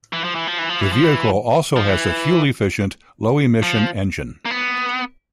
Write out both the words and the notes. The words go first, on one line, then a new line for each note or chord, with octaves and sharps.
The vehicle also has a fuel-efficient, low-emission engine.
E3
F3
E3
F3
E3
F3
E3
F3
E3
F3
E3
F3
A#3
B3